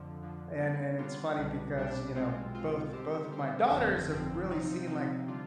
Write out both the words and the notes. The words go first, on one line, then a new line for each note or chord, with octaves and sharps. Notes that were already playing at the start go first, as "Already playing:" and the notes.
and and it's funny because, you know, both both of my daughters have really seen, like,
Already playing: F2 D3 F3
F2 D3 F3
D3 G3 B3 D4 F4
D3 G3 B3 D4 F4
B1 B2 G3 D4
B1 B2 G3 D4
B1 B2 G#3 C4 F4
B1 B2 G#3 C4 F4
D3 G3 C4 G4 C5
D3 G3 C4 G4 C5
G1 F2 D3 F3 C4
G1 F2 D3 F3 C4
C3 F3 C4 D#4
C3 F3 C4 D#4
D3 G3 D4 F4